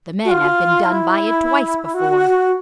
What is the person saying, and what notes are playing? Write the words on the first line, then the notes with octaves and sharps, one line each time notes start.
The men have been done by it twice before.
F#4
F4
E4
F#4